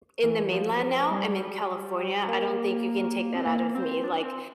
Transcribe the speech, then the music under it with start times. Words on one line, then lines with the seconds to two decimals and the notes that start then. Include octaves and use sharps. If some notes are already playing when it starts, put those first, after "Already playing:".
in the mainland now, I'm in California, I don't think you can take that out of me, like,
0.23 E3
0.52 F3
1.11 G3
2.28 A#3
3.35 C4
3.45 A#3
3.75 C4
4.04 D4
4.23 C4